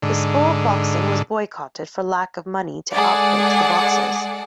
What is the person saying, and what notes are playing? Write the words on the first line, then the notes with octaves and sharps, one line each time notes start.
The sport boxing was boycotted for lack of money to output to the boxers.
G#2 D3
G#3 G#4 A4 D5 F#5